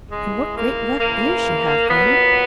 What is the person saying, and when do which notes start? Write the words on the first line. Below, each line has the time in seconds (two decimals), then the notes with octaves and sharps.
"And what great rough ears you have, Grannie!"
0.12 C#3 E3 G#3
0.57 A#3
1.00 C#3 E3 A#3
1.89 A#2 F#3 B3